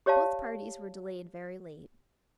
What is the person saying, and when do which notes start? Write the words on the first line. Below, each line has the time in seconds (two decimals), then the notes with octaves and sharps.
Both parties were delayed very late.
0.06 G4 C#5 D5 F5 A5